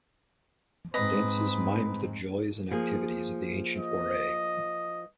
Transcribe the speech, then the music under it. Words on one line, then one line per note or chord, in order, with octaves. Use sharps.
Dances mimed the joys and activities of the ancient Waray.
G#2 C4 B4 D#5
F3 A#3 G#4
D#5